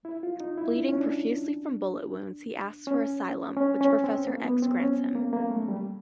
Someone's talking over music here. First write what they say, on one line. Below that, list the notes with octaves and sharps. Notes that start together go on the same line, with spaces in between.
Bleeding profusely from bullet wounds, he asks for asylum, which Professor X grants him.
E4
F4
D#4
E4
D4
C#4
D4
C#4
C#4
C#4
C4
A#3
B3
C4
C#4
A#3
A#3
A3
G3